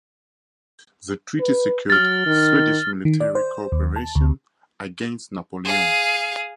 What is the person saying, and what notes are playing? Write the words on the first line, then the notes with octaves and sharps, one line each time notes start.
The treaty secured Swedish military cooperation against Napoleon.
B4
F#3 F6 A6
D#3
D#3
D5
C5
D#2
A5
D2
G#4 F5